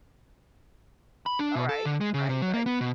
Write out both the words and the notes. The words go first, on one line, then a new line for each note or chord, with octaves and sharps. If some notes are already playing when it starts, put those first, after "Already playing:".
Alright. Right, right.
B5
D4
B2
A4
D3
G#3
C#3
C3
F#3
A#3
B3
B2